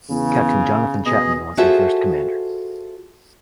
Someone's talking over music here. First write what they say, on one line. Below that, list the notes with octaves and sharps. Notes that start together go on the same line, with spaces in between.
Captain Jonathan Chapman was her first commander.
E2 C#3
B2 G#4 D#5
F4 F#4 G#4 A4 C5 E5